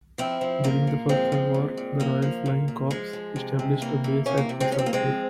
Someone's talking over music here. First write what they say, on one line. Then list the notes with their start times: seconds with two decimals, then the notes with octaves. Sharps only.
During the First World War, the Royal Flying Corps established a base at Risalpur.
0.18 F3 C4 E4
0.41 F3
0.64 A#2 A#3
0.87 A#2
1.09 F3 G#3 C4
1.32 F3
1.54 A#2
1.77 A#2
2.00 F3 A#3
2.22 F3
2.46 A#2
2.68 A#2
2.91 F3 G#3
3.13 F3
3.36 C3
3.59 C3
3.81 E3 A#3
4.04 E3
4.26 C3 A#3 C#4
4.38 A#3
4.49 C3
4.60 G#3 C4
4.71 F3 C#4
4.79 C4
4.86 A#3
4.93 F3 G#3 C4